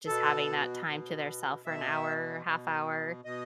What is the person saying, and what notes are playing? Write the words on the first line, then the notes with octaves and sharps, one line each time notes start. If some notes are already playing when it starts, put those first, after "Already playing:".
just having that time to their self for an hour, half hour
B2 A4
B2
B2 E5
B2
B2 D#5